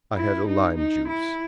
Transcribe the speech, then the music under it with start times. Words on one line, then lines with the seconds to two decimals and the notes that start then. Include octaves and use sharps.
I had a lime juice.
0.16 E4
0.47 D#4
0.77 D#4
1.08 E4